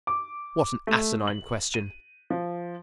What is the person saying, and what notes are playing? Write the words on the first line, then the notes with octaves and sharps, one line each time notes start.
"What an asinine question!"
D6
A3
F#7
D#7
F3